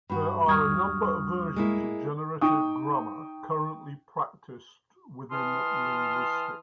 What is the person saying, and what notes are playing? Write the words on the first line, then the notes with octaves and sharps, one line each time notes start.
There are a number of versions of generative grammar currently practiced within linguistics.
G2 F#4 B5
D#2 G3 C#6 D#6 F6 G#6
G#3 A#3 E4
D#4 G5 C#6 D#6
E3 A5 C6 D#6 F6